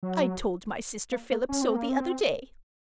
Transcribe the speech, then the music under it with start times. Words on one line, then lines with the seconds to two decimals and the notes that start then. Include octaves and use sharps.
I told my sister Phillips so the other day.
0.03 F#3
1.12 A#3
1.31 A#3
1.49 C#4
1.62 C4
1.75 A#3
1.89 C4